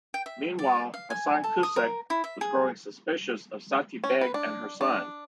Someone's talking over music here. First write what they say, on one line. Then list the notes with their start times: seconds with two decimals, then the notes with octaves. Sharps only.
Meanwhile, Hasan Kucek was growing suspicious of Sati Beg and her son.
0.14 G5
0.26 E5
0.59 D5
0.94 F5
1.10 G#5
1.44 A4
1.63 D#6
1.76 A#4
2.10 E4
2.24 E5
2.41 G#4
4.04 C#4
4.21 B4
4.34 D4
4.81 D4